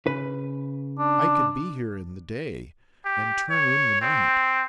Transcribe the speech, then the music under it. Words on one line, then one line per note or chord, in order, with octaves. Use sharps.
I could be here in the day, and turn in the night.
C#3 B4
D4
G4
C#5
C4